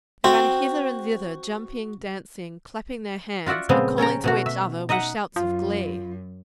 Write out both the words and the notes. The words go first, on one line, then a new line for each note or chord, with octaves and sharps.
They ran hither and thither jumping, dancing, clapping their hands and calling to each other with shouts of glee.
C4 F#4
F4 F#4 D5 E5 F#5
A#2 C#3 F3 G#3 B3 C4
C#4 A4 G5 A#5
B2 A3 F#4
E5
D#4 D#5 E5 F#5
F#2 F4